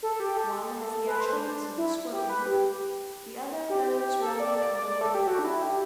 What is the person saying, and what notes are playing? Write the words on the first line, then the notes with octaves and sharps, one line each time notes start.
One has the attributes of the scorpion, the other those rather of the leopard.
A4
G4
A4
B4
C5
D4
D4
E4
G4
B4
G4
G4
A4
D5
D5
D5
D5
A4
G4
F#4
D4
E4
G4